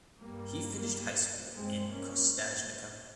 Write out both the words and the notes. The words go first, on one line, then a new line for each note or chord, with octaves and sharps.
He finished high school in Kostajnica.
G2 G3 A#3
G2 G#3 C4
A#3 C#4